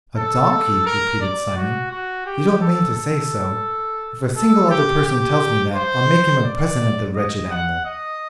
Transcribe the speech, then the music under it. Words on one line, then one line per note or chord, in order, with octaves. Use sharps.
'A donkey!' repeated Simon, 'you don't mean to say so; if a single other person tells me that, I'll make him a present of the wretched animal.'
A4
A4
A#4
D5
F#4
F#4
G4
A4
A4
A4
G4
G4
C5
D5
D#5
F#5
D#5